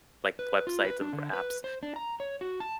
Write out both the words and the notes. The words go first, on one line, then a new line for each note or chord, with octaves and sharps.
like, websites and br apps.
B4
F4
B4
D4
D3
B4
C5
D4
A#5
C#5
F#4
A5